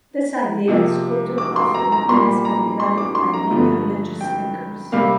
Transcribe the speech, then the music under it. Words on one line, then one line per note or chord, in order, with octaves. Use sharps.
This idea is quoted often and has been developed by many religious thinkers.
C3 F3 A#3
D6
C6
A#5
A#5
A#2 G3 A#3 C6
A#5
C6
D6
C6
A#5
G2 D3 F3 A3
G5
C3 G3 A#3 F5